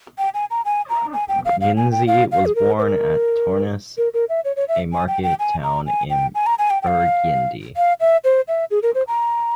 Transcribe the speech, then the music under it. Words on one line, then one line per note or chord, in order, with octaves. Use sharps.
Greuze was born at Tournus, a market town in Burgundy.
G5
G#5
A#5
G#5
A#5
G#5
G5
F5
F5
G#5
G5
F5
F5
G#4
A#4
C5
A#4
A#4
A#4
E5
C#5
C#5
E5
G#5
G5
G5
G#5
A#5
G#5
G5
G#5
A#5
G#5
G5
G5
F5
F5
E5
C5
E5
G#4
A#4
C5
A#5